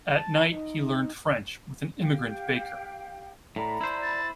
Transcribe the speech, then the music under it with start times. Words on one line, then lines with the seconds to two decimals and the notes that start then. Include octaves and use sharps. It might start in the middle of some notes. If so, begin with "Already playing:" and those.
At night he learned French with an immigrant baker.
0.11 A5
0.50 D#4
1.99 G4 F5 G5
3.56 A2 D5 A#5 B5
3.81 E4 C5
4.02 A6